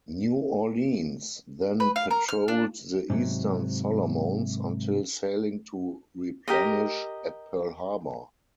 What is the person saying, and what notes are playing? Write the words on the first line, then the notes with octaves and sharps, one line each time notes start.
"New Orleans" then patrolled the eastern Solomons until sailing to replenish at Pearl Harbor.
B4
F5
A#4
F6
D4
G#2 C3 D#3 F#3
G4 A#4 D#5